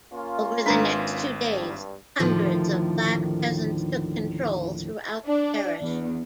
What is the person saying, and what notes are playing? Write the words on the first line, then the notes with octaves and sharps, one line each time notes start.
Over the next two days, hundreds of black peasants took control throughout the parish.
A#3 C#4 F4
G#1 G#3 D4 B4 A#5 B6
G2
D#2 A2 D3 D#3 F3
D4
E2